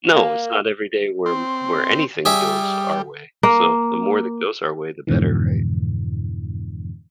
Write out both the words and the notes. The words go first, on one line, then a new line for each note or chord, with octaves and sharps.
No, it's not every day where where anything goes our way, so the more that goes our way, the better, right?
A#3
C4
G3 G#4 D5 E5
A#3
F2 G#2 B2 D3 E3